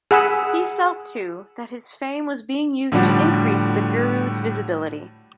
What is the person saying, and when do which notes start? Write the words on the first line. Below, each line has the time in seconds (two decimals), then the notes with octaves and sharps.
He felt too that his fame was being used to increase the guru's visibility.
0.11 G#4 F#5 B5 E6
2.92 A2 D3 F3 G3 D4 F#4